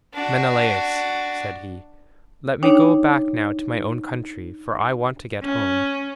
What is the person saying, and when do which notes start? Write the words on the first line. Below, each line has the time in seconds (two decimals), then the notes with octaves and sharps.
"Menelaus," said he, "let me go back now to my own country, for I want to get home."
0.14 D4 F#4
2.63 D4 D#4 C#5 G5
5.43 C#4